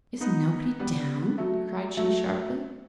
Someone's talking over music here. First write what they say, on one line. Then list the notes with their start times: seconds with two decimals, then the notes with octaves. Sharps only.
"Is nobody down?" cried she, sharply.
0.21 B3 D#4
0.79 G3 B3
1.38 F#3 A3
1.97 F#3 A3